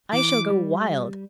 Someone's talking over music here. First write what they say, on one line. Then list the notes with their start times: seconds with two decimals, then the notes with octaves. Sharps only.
I shall go wild!
0.13 E3 D6
0.49 G3